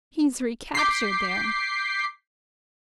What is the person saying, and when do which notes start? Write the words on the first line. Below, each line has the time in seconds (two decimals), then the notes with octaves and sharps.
He's recaptured, there!
0.75 D6 G6 B6 C7